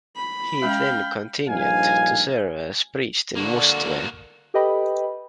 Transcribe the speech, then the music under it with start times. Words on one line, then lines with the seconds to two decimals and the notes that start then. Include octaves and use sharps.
He then continued to serve as priest in Mustvee.
0.16 B5
0.62 G#3 C#4 E5 F5 G5
1.48 A#1 G2 F3 D#4 F5 G#5
3.36 D3 A#3 F#4
4.54 G4 A4 B4 D#5 G5 B5